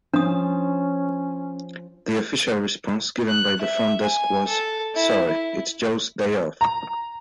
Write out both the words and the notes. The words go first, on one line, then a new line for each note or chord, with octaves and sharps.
The official response given by the front desk was, Sorry, it's Joe's day off.
F3 C#4 D4 D#6
F#6
E5
G#5
A4
E4
E4
A#5